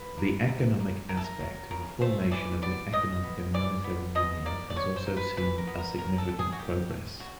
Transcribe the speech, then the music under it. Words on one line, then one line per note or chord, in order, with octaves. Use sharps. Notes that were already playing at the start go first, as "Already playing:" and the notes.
The economic aspect of the formation of the economic and monetary union has also seen a significant progress.
Already playing: B4
A#3
C3
A#3
C3 A#4
A4
A#4
F#3
C#3 A#4
A3 C5
E3 D5
B3 D5
C#3 D#5
B3
E3 D5
B3
B2 D#5
A#3 D5
D5
B2 C#5
C5
A#3
B4
E3 B4
A#4
B3
A#4
C#3 A#4
A4
G3
G#4
F#4
D#3 G4
A3
C#3 F#4